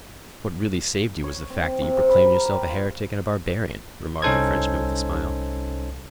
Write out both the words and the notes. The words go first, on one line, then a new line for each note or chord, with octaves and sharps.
"What really saved you was the fact that you proclaimed yourself a heretic and a barbarian," remarked the Frenchman with a smile.
C#5
C4
C4
C3
C3
B5
A#4
G4
F4
C2 C#4 D#4 A4 C5 G#6